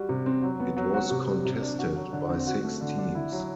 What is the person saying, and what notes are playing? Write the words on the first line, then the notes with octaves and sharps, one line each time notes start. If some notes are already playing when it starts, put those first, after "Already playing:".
It was contested by six teams.
Already playing: G3 F#4
C3
C4
F#3
B3
F#3
F#4
C3
G3
C3
D4
F#4
F#3
D3
C4
F#4
A3
D3
D4
E4
F#3